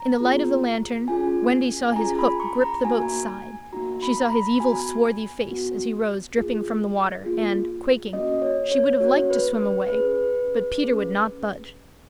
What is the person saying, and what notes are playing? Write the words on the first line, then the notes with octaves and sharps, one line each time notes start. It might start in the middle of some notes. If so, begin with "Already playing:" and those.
In the light of the lantern Wendy saw his hook grip the boat's side; she saw his evil swarthy face as he rose dripping from the water, and, quaking, she would have liked to swim away, but Peter would not budge.
Already playing: A#5
B3 F4 G#4
C#4 F4 G#4 G#5
G#5
C#4 F4 G#4 A#5
B5
C#6
A#5
A#3 D#4 F#4 G#5
A#3 D#4 F#4 A#5
B5
A#5
B5
B3 F#4 G#5
B3 F#4
A#3 F4 G#4
A#3 F4 G#4
A#3 C#4 F#4 D#5
C#5
C#5
A#3 C#4 F#4 C#5
B4
B4
C#4 G#4 B4
C#4 G#4